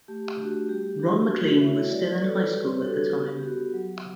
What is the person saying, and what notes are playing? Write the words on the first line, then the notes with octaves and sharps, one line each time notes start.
Ron MacLean was still in high school at the time.
A3 G4
D4 F#4 G4
G3 G4
D4 F#4 G4
A3 F#4
E4 C#5 E5
C#5
G3 B4 D5
B4
C#4 F#4 A4 C#5
G3 G4 B4
C#5
B4
D4 F#4 A4
B3 G4
G4
F#4
F#3